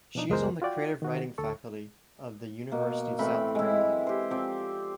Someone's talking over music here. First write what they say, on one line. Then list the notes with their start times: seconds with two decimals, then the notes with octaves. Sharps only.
She is on the creative writing faculty of the University of South Carolina.
0.15 B2 F3 D4 D#4
0.30 C#2 F#2 G#3 B3 A#4 C5
0.62 F4 F#4 D5 G5
1.02 D#3 F#4
1.38 D2 A4 C#6
2.72 B2 A#3
3.19 A2 E3 C4 B5
3.55 G#3 E4
4.07 G4 C5
4.30 F3 C4 D5